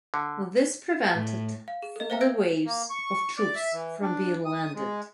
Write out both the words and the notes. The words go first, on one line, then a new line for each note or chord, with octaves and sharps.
This prevented further waves of troops from being landed.
D3
A2
F5
G#4
A4 D#5
C5 E5 F5 G5 A#5
E6 G#6 A#6 D7
A#3
C#6
D5
E5
E3
D4
D#6
G#3